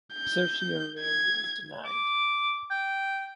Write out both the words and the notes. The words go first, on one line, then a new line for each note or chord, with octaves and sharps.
Certiorari was denied.
G6
G#6
D6
G5